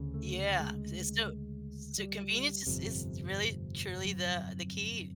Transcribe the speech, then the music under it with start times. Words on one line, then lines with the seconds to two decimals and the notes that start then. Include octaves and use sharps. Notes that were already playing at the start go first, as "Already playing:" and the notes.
Yeah. It's sti So, convenience is is really truly the the key
Already playing: D2 C#3
0.14 A3
0.59 G#3
1.98 G3
2.67 G1 F2 C3
4.05 F#3